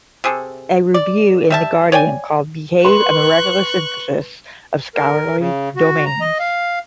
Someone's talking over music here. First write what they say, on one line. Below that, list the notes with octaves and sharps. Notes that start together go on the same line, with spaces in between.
A review in "The Guardian" called "Behave" "a miraculous synthesis of scholarly domains".
C3 G#4 A4
D5
G3 E5 A5
C#5 D5 G5 G#5
B4 C6 C#6 F#6
A#4
C#3
F#4
A#5
D#5
F5